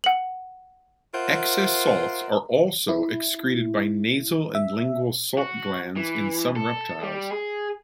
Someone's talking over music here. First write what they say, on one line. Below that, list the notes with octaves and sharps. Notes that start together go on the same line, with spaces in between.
Excess salts are also excreted by nasal and lingual salt glands in some reptiles.
F#5 F#7
F4 A#4 C5 E5 F#5
E4
E5
F#4
E3
A4
G3
G#4